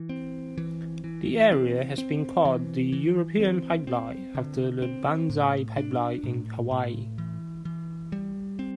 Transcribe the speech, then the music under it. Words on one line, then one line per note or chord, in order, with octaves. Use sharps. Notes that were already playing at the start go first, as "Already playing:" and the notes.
The area has been called the "European Pipeline", after the Banzai Pipeline in Hawaii.
Already playing: E3
C4
E3
E3
C4
C4
E3
E3
C4
C4
D3
C4
A2
D4
A2
A2
E3
E3
G3
C4